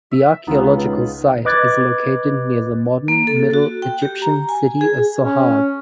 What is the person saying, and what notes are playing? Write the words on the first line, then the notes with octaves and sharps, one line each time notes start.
The archaeological site is located near the modern Middle Egyptian city of Sohag.
E5
C#2 B3 D#4 F4 G#4 A#5
B4 D#5 D6 F#6 G#6 A6
A#3
A4
F#4
G5
G4
A#5
G#5
G#4
C#4